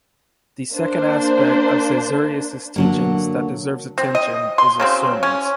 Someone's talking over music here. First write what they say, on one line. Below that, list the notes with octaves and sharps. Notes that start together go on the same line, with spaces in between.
The second aspect of Caesarius's teaching that deserves attention is his sermons.
A#3 D4 C5
D3 F#3 A#3
C4
D#5
C6
C#3 F#3 C4
C#4